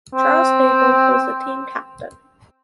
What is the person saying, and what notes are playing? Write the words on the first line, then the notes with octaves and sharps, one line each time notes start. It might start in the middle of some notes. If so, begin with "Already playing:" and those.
Charles Nagle was the team captain.
C4